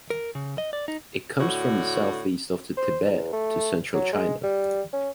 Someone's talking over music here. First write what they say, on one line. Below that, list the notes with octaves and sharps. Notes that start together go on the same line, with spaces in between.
It comes from the Southeast of the Tibet to central China.
A#4
C#3
D#5
D5
D#4
A2 D3 F#4
C5
E2
A3
F#3
G#3
G3
C#4